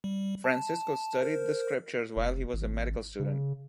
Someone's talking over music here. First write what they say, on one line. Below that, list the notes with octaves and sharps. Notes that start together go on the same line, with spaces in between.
Francisco studied the scriptures while he was a medical student.
G3
A5
A#4 C5
F1
G#1
C#3